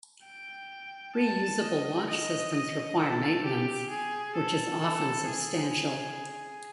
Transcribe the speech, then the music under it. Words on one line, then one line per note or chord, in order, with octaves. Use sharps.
Reusable launch systems require maintenance, which is often substantial.
G5
A5
D#5
D#5
D#5
A4
G4
G#4
A4
A4
G#4